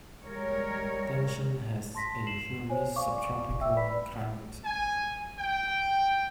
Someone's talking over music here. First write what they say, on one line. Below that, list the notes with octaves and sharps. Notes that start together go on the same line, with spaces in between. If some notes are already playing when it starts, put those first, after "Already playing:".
Denison has a humid subtropical climate.
G3 G#3 A#4 C#5
A5 C6 A#6 B6
C7 E7 F#7
C5 C#5 G#5
D5 F5 G#5 C#6 D6
E5 G5 E6
B4 D5 B5 B6
G#5
G5